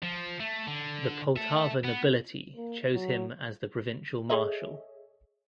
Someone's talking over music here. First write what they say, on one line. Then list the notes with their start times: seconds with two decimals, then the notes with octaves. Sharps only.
The Poltava nobility chose him as the provincial marshal.
0.03 F3
0.40 A3
0.67 D3
1.36 A4 E5
1.85 B3
2.56 A#3
2.93 F#3
4.30 G#4 A4 C#5 D#5 E5